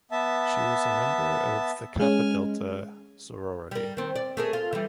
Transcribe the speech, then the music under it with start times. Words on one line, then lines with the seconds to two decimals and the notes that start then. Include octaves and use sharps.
She was a member of the Kappa Delta sorority.
0.11 B3 E5 A5
1.99 G#3 C#4 G#5 F6
3.71 G3 A#4
3.97 D#3 C4
4.16 D5
4.37 A3 G#4 A#4
4.53 F4
4.73 E3 G3